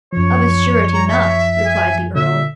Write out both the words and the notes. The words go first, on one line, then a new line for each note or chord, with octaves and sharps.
"Of a surety not," replied the earl.
F#2 F3 C#5
A#5
E5
G#5
A#2 D3 E5